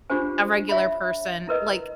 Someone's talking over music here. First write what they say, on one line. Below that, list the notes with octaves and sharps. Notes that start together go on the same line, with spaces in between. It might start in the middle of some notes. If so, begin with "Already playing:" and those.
a regular person, like
D4 F4 G4 G#4 C5 G#5
C#5 E5 B5
E4 A#4 B4 D#5